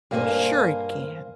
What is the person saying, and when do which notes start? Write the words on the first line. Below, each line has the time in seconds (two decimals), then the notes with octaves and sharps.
Sure it can.
0.11 G2 A#3 D4 G4 C5 G#5